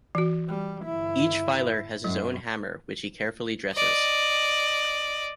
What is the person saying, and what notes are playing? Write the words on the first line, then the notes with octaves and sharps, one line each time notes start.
Each filer has his own hammer which he carefully dresses.
E3 F#4
G3
G1 E4
F#2 F#3
D5 D#5